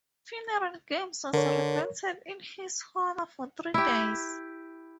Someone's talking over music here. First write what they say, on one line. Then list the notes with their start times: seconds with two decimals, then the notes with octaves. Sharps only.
Funeral games were celebrated in his honor for three days.
1.33 D3 A#4 C#5
3.74 E4 G4